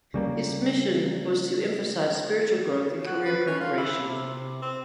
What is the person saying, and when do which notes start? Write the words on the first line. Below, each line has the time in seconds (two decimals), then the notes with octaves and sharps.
Its mission was to emphasize spiritual growth and career preparation.
0.14 C#3 G3 A#3
3.07 F#4
3.25 B4
3.47 C#4
3.60 F4
3.77 E4
4.02 C3
4.62 C4